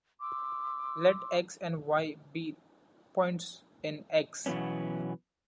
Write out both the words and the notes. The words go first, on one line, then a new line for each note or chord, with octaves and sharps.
Let "x" and "y" be points in "X".
C6 D6 E6
B2 E3 F#3 B3 C#4